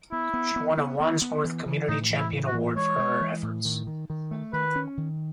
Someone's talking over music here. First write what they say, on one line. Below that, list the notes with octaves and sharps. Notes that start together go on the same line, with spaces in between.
She won a Wandsworth Community Champion award for her efforts.
B3 E4
B3
B3
B3
B3
B3
E3
E3
A2 D#4
E3
E4
A2
F#4
E3
G#3 C#5
G#3
E3
A2
D#3
D#3
D#3
A3
D#3 B4
C#4
D#3